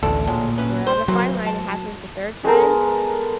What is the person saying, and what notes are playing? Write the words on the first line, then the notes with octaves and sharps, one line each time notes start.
we're on a fine line. It happens a third time,
A1 D2 A4 D5
A#2 F#3 G#3
C#4 E4 B4
C5
E3 F#3 A#3
A5
G#3 B3 A4 A#4